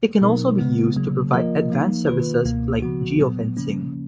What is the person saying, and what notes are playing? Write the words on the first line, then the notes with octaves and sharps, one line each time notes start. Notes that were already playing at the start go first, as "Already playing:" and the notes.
It can also be used to provide advanced services like Geo-fencing.
B2 F#3 B3 D#4 A#4
C#3 G#3 B3
C#3 F#3 A#3
F3 A#3 F4 A#4 D#5
F3 A#3 D#4
D#3 A#3 F4 B4
C#2 B2 A#3
C#3 F3 B3 F#4
A#2 F#3 B3
C#3 F3 A#3 C#4